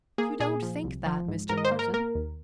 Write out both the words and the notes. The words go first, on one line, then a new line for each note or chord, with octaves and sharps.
"You don't think that, Mr. Morton."
A#3 G#4
A#2 G#4
F3
C2
F3
G#2
G#2 A#4
D#5
C5
A#3
A#4
A#3 A#4
D#2